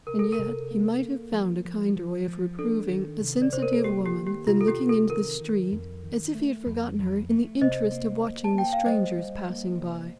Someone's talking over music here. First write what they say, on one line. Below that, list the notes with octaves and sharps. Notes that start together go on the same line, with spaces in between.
And yet, he might have found a kinder way of reproving a sensitive woman than looking into the street--as if he had forgotten her in the interest of watching the strangers passing by!
C3 A#4
A4
A#4
C3
A#3
A#3
F3
F3
F3
F3
D4 A4
D#3
C3
D5
C3 C5
A#4
A4
A#3 G4
G4
D#3
G4
C3 F4
A4
G4
C3
A4
D#3 A#4
D#3
F2
D#3
A3
F2
F2
A3
C3 C5 D#5
A#3
A#3
A5
A#3 G5
F5
G3 C5 D#5
G3
A#3
C3